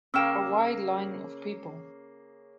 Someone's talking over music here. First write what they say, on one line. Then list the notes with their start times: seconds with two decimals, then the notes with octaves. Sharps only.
A wide line of people.
0.14 C#3 A#3 C#4 G5 E6 F6 E7